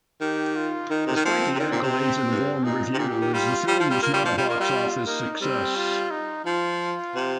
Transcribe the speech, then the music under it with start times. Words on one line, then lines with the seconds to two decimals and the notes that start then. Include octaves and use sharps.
Despite the accolades and warm reviews, the film was not a box office success.
0.21 D#3 G4
0.56 F4
0.90 D#3 D#4
1.07 C3
1.16 D#3
1.25 F3 C4
1.55 C3
1.59 D#3 C4
1.72 A#2
1.82 C3
2.30 G2
2.63 A#2 D#4
2.93 C3
2.98 A#2 G4
3.10 A#2
3.21 D#3
3.33 G3 F4
3.67 G3 F4
3.80 F3
3.90 G3
4.02 A#3 F4
4.14 G3
4.25 F3
4.37 G3 F4
4.49 A#3
4.60 G3
4.72 F4
5.06 A#3 D#4
5.41 G3 C4
5.76 F4
6.11 D#4
6.45 F3 F4
7.15 C3